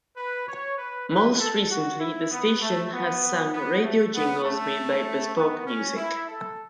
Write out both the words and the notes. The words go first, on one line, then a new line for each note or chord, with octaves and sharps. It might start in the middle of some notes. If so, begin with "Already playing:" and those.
Most recently the station had sung radio jingles made by Bespoke Music.
B4
C#5
B4
B4
A4
F#4
E4
B3
A3
B3
B3
A3
B3
A3
B3
C#4
E4
A4